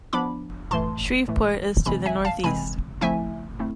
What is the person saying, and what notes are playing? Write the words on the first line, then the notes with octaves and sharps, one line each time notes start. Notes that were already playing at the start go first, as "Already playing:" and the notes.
Shreveport is to the northeast.
F3 B3 D4 B5 D6
A2 E3 A3 A5 C6
A2 E3 A3
C3 E3 G#3 C4 G#5 B5
E5 G#5
F5 A5
C3 E3 G#3 C4 G#5 B5
F3 A3 C4 E4 E5 G#5
A3 C4 E4